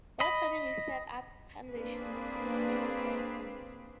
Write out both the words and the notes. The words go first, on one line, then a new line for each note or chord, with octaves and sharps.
Both families set up foundations in honor of their sons.
D#5 B5
A#3 C4 D4 G#4 B4